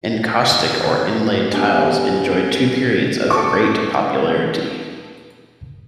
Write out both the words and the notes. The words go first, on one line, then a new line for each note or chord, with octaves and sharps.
Encaustic or inlaid tiles enjoyed two periods of great popularity.
B3 D4 G4 G#5
A4 C#6 D6